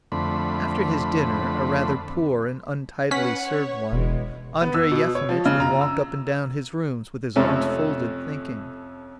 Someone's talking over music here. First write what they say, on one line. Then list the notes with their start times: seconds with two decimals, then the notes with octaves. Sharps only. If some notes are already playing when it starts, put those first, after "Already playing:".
After his dinner--a rather poor and untidily served one--Andrey Yefimitch would walk up and down his rooms with his arms folded, thinking.
0.12 F2 D3 A3 C4 B5
3.11 C#4 B4 F#5 B6
3.46 C#5
3.92 E1 B2 E3 G#3
4.62 B3
4.74 E6
4.91 B2
5.15 C#5
5.29 F3
5.46 C#3
5.60 A#5
5.81 E6
7.36 F2 C3 A3 C#4 A4 E5